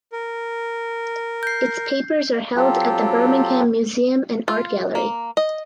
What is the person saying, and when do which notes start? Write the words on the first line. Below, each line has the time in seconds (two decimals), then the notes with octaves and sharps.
Its papers are held at the Birmingham Museum and Art Gallery.
0.12 A#4
1.43 G6 C7
2.56 F#3 C4 F4 G4 A4
4.48 F4
4.95 A#3
5.37 D#5